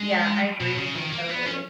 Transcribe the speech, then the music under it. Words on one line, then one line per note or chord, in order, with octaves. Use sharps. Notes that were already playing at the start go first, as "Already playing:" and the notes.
Yeah, I agree with you totally.
Already playing: G#3
B2
C#3
D#3
A#3
B3
C#4